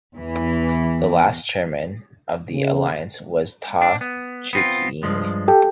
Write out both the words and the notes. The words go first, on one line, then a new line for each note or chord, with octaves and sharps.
The last chairman of the alliance was Tai Cheuk-yin.
E2 E3
C#3
D4
B3
B3 C4 F4
G2 F3 G#3
G4 A4 G5